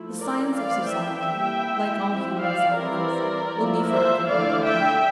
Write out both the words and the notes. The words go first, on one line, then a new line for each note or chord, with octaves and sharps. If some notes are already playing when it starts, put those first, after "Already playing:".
The science of society--like all human sciences--will be for ever incomplete.
Already playing: F3 A3 E4
A#4 D5
E3 A3 C4 E4 D5 F5
E5 G5
G3 A#3 E4
F3 C4 E4
D5 F5
E3 G3 C4 E4 A#4 D5
F3 A#3 E4
C5 E5
D3 A3 E4 D5 F5
E5 G5